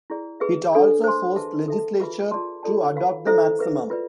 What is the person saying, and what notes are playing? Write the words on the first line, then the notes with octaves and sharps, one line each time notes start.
It also forced legislature to adopt the Maximum.
E4 G#4 D5
G#4 B4 E5
D4 A4 D5
C5 G#5 C6
G#4 B4 E5 A5
A4 E5 A5
F4 G#4 B4 E5 B5
F4 G#4 D5 A5 C6
F4 A4 D5 A5
B4 F5 B5
E4 A4 C5 E5
G#4 B4 E5
F4 B4 D5